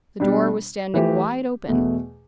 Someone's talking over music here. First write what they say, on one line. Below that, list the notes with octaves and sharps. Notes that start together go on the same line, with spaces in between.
The door was standing wide open.
B2 G3 D4
E3 A3 G4
E2 B2 A3